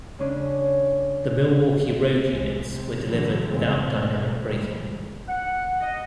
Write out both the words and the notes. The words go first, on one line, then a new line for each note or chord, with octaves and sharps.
The Milwaukee Road units were delivered without Dynamic Braking.
C#3 C#4 D4
C2 A2 G#3
C3
A#1 G#2 D3 E3 F#3
F1 G#2 C#3 G#3 C4
B2 A3
D2 G2 A#2 G3 G#3
F#5
D#5